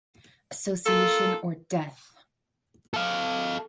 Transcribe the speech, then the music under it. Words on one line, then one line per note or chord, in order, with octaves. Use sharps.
Association or death!
A#3 F4 A4
A4 F5